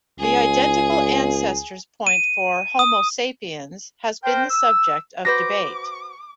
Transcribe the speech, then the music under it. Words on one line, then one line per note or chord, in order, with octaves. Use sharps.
The identical ancestors point for "Homo sapiens" has been the subject of debate.
C#2 G#4
D#7
D#6
A#4 C5 G5
E6
F#4 B4 C5 D6 A#6